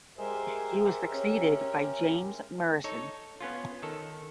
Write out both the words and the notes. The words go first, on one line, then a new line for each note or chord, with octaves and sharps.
He was succeeded by James Murison.
G#3 G4 A#4 C5 E5 G#5
C#4
D#4 A4 C#5
B3 C#4 F4
D#3 A4